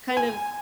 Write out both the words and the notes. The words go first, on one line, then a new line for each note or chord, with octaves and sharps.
kind of
G#5